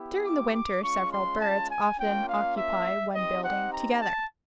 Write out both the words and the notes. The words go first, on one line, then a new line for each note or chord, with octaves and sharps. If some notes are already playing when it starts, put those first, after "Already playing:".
During the winter several birds often occupy one building together.
Already playing: B3 E4 G4
D6
D6
G#3 C#4 F4 C#6
C6
A5
G#5
A#3 C#4 F4 G5
F5
E5
C4 D#4 G4 D#5
F#5
A#5
A5